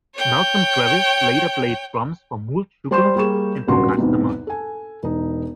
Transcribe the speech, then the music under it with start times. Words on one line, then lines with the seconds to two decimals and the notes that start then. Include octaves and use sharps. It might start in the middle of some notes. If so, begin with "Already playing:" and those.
Malcolm Travis later played drums for Mould's Sugar, and for Kustomized.
0.16 C#5 G5
2.91 G3 C5 C6 G6 E7
3.16 G3 A#3 G#4 C#6 E7
3.67 D#1 G#1 G2 C#3 F#4 C6
3.97 B1 E2 G#2 C3
4.47 A4 G#5
5.03 E1 D#4